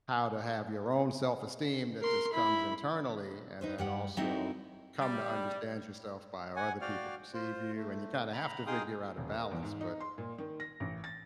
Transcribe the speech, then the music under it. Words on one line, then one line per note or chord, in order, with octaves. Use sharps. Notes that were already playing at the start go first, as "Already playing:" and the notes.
how to have your own self-esteem that just comes internally, and then also come to understand yourself by how other people perceive you, and you kinda have to figure out a balance, but
A#4 C6
E4 B5
D#4 B4 C5
G2 G3 F#5
F#3 C4 D#4 E4 F#4 A4
G3
F#5 G#5
F#4 D5 F5 G5 F6
F4 C5
A3
A#5 B5
D#4 G#4 F5 G5 C6 D#6
D#1
A#4
E2
G#2
D#4
C6
A#2
D#3
A#6
A1
A6